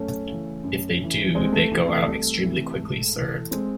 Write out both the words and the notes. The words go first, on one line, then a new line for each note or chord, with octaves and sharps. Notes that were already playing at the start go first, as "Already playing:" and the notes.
If they do, they go out extremely quickly, sir.
Already playing: F#2 A3 C#4
C#3 E3
F#2
C#3 E3
C2 G#3 C4
A3
C3 E3
A3
C2
C3 E3
G#2
E3
G#3 C4